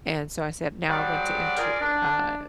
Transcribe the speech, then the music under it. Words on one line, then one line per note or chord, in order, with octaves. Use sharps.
and so I said, “Now I want to enter “uh,
F#3 G3 F#4 G#4 C5 D5
F4 G#4 A#4 D5
D4